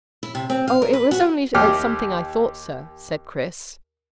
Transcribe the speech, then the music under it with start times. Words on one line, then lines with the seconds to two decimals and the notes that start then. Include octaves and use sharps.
"Oh, it was only at something I thought, sir," said Chris.
0.23 E4
0.35 C3
0.50 C4
0.68 F5
0.82 A#4
0.93 B4
1.11 F#4
1.55 D#2 G4 F6